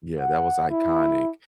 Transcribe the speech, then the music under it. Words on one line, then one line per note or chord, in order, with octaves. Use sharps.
Yeah, that was iconic.
F#5
E4